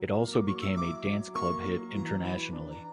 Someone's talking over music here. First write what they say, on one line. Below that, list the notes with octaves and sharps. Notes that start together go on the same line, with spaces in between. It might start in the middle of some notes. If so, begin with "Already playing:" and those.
It also became a dance-club hit internationally.
Already playing: F#3
A#3
D6
F#3 C#6
E6
E4 D6
F#3
A#3 C#6
F#3
E3 A#5
E3 B5
D4
A#5